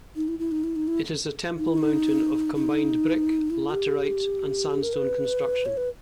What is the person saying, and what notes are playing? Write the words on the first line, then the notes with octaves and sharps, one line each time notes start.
It is a temple mountain of combined brick, laterite and sandstone construction.
D#4
E4
E4
D#4
E4
D#4
E4
D#4
E4
D#4
D#4
E4
G4
A#4
B4
C#5
B4